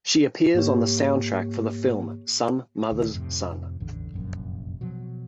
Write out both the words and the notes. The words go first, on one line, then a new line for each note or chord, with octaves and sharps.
She appears on the soundtrack for the film "Some Mother's Son".
G#2 A#3 G4 C#5
C#2 D#3
F2 A2 C3
A1 E2 D3
F1 A#1 F#2
B2 F3 F#3